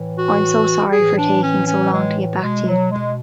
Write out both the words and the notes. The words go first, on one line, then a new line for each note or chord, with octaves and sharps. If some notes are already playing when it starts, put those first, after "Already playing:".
I'm so sorry for taking so long to get back to you.
Already playing: A2 E3
F#4
A2 E3 G#4
D4
C#4
C#4
G#3
B2 G#3
F#3
G#3